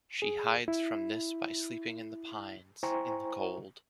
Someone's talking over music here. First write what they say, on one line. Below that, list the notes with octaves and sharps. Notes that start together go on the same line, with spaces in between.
She hides from this by sleeping in the pines, in the cold.
G#4
E4
E4 C5 G5 G#5 A#5 C#6